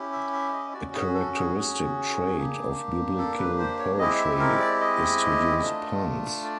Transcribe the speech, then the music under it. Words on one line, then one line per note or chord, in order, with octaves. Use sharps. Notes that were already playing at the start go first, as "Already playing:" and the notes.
A characteristic trait of biblical poetry is to use puns.
Already playing: C#4 E4 G4
E5
E5
D#5
C#4 F#4 D5
G#4
A4
G#4
G#4
A#3 D4 G4
A4
B4
C5
C#5
G#3 C4 E4 G4 D#5
E5
A#4
D5
D#5
A3 D4 F4
D5